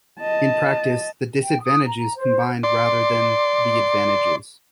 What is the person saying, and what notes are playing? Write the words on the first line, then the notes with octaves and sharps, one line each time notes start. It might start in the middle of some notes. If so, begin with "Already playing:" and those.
In practice, the disadvantages combined rather than the advantages.
D#5 A5
G5
D#6
A#5
C5
D5 C6